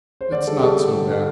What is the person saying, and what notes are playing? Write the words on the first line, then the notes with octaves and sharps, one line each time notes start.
It's not so bad.
C5
D3 D5
G3 A4
G4
D3 A4
G3
D3
D3